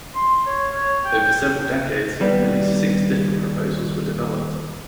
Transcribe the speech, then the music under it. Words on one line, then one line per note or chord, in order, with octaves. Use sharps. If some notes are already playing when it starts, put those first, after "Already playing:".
Over several decades At least six different proposals were developed.
C6
C#5
C#5
G5
D#2 G3 B3